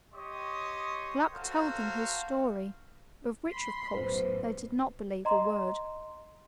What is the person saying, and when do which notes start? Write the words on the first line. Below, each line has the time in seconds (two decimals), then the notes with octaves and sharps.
Gluck told them his story, of which, of course, they did not believe a word.
0.14 G4 C#5 D#5 C6 C#6 D#6
1.34 F#4 A4 A#4 C5 C#5 F5
3.50 B5 C6 B6
3.95 B1 F#2 A2 B4 C5
5.25 D#5 A#5 C6